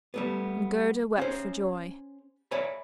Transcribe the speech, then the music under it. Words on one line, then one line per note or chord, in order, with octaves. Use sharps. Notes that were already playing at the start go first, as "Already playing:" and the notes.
And Gerda wept for joy.
G3 A3 B3
C#4 G#4 C5
C#5 D5 E5 G#5 B5